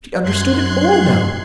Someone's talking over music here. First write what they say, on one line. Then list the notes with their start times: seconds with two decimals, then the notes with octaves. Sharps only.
She understood it all now.
0.22 F#2 C6 F#6 G#6 C7